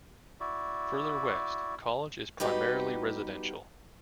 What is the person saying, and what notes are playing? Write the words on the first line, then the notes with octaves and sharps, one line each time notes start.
Further west, College is primarily residential.
E4 F#4 D5
G3 B3 D#4 F#4 G4 B4